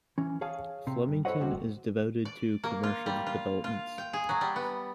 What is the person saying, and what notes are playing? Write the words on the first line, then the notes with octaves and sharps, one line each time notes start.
Flemington is devoted to commercial developments.
E3 C#4
G#4 C#5 F5 G#5 A5
C3
G2
E4 A4 C5 C#5 D#5 F#5
D#2 C3 G3 F#4
D5
A#3
F4
G3
F4
F4
G5
G#4
F#3
G3
B3